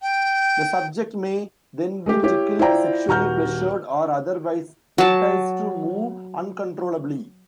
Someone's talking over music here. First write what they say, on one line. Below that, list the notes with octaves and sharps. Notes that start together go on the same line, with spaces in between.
The subject may then be tickled, sexually pleasured or otherwise enticed to move uncontrollably.
G5
G#3 A3 G4
E4 G4 C#5
E4 F4 C5 D5 G5 A#5
D#1 F#4 A#5 F6 G6
F#3 A5